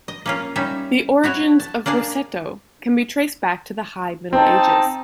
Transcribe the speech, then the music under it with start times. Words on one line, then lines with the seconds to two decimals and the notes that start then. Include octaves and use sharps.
The origins of Grosseto can be traced back to the High Middle Ages.
0.08 D#5
0.26 A#3 C#4 F4
0.56 G3 C#4 D#4 E5
1.24 E4 F#4 C#5
1.60 A5
1.86 A#3 D4 G#4 A5
4.33 C4 D#4 A5